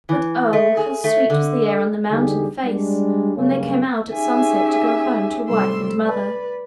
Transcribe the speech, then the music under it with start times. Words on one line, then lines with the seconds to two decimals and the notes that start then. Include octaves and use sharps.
But oh, how sweet was the air on the mountain face when they came out at sunset to go home to wife and mother!
0.09 E3
0.53 A3
0.77 G#4
1.04 A3
1.30 D3
2.08 E2 D3 G3 D#4 G4 G#4
2.63 G3 G#3 D4
3.35 G2 C#3 F#3 A#3 C#4
4.12 C#4 D#4 G4 G#4 E5 G#5
5.47 A2 C3 G3 A3 C6 E6
6.03 B4 D5